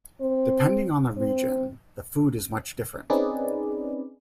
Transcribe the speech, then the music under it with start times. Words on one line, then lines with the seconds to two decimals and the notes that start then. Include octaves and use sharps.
Depending on the region, the food is much different.
0.21 C4
1.17 C4
3.10 C4 C#4 D#4 G#4 B4 D5